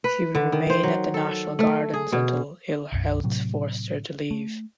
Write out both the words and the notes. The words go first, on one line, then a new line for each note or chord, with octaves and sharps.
She would remain at the National Gardens until ill health forced her to leave.
B4
D3
D#3
C5
F#3
A4
A3
G#4
B2
B1 F#2
A2 C3 F#3
A3